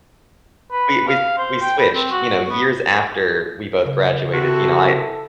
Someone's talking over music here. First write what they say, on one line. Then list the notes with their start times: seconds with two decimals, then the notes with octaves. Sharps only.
we we s we switched, you know, years after we both graduated, you know, I
0.72 B4
1.08 F5
1.37 C5
1.62 G5
1.79 B4
1.94 C4
2.11 F#4
2.49 B3
3.86 C#3
4.33 C3 E4 F#4 A4